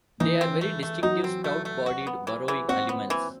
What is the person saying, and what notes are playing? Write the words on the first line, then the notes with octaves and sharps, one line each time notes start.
They are very distinctive stout-bodied burrowing animals.
E3 D#4
C4
A3
A3
F#3 D#4
C4
A3
A3
F#4
B3
E3
E3
C4 F#4
B3
E3